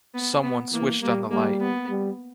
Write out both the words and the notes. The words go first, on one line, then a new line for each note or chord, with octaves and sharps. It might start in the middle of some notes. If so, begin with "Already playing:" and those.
Someone switched on the light.
B3
B3
E3 A#3
G3 A#3
G3 A#3
B3
G3